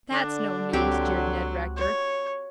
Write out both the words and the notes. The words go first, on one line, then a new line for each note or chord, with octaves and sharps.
"That's no news," jeered Ned Rector.
D3 D4
C#2 F#3 C4 G4
C#5